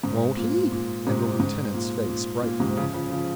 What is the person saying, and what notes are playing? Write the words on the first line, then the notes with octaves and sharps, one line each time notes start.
"Won't he?" and the lieutenant's face brightened.
G#2
A#2
A#2
G#2 C3
G#2
A#2
A#2
A#2
G#2 C3
C#3 F3
C#3 F3
C#3 F3